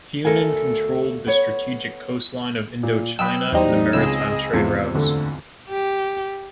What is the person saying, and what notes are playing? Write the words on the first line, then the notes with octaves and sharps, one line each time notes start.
Funan controlled the strategic coastline of Indochina and the maritime trade routes.
D2 F3 A4 A#4 F5 G#5
B3 C#5
A#2
F#3 B4 G5 D#6 E6
E2 F#3 G3 C4 D#4 C5 D#5
C#2 C4 G#4 D#5 E6
E2 G#2 C3 F3
D2 D3
G4